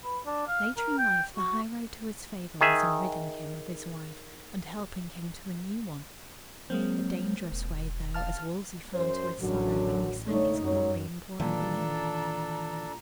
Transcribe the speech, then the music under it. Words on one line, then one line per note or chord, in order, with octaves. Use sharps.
Later in life the high road to his favor was in ridding him of his wife and helping him to a new one--a dangerous way though, as Wolsey found to his sorrow when he sank his glory in poor Anne Boleyn.
B4
D4
F5
A#4
G5
F#4
D#3 G#4 E5
F#3 G#3 A#3 C4
E1
F5 A5 F6
F#2 C5
A1 F#2 D3 F#3
D3 A3 D#4 C#5
F#2 F#3 C#5
A#2 D#3 E3 D4 A4 A#5